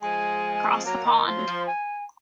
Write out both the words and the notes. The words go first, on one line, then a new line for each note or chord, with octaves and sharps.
Across the pond.
F3 G#3 G#5
C4
F#3 A#3 A#5
D#3
F3 C6
F#3
F3
G#5